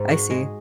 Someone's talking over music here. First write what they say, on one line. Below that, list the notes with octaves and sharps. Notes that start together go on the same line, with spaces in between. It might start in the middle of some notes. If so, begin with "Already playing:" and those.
I see.
Already playing: G#2
F#4
G#3